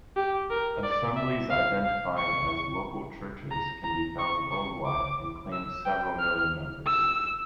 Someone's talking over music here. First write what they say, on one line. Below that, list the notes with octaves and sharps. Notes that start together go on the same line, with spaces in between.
Assemblies identifying as "local churches" can be found worldwide and claim several million members.
G4
A#4
D5
E5
F5
F5
C#6
A#5
A#5
C#6
C#6
D6
E6
G5
F6
E6